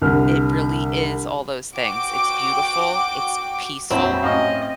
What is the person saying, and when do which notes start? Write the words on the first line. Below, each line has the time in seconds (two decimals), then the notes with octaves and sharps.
it really is all those things, it's beautiful, it's peaceful
0.02 C2 D3 F6
1.76 F#4 G5 D6 D7
3.90 A#1 F2 F#3 C4 E4 C5
4.23 A1 C#4 D#5 F5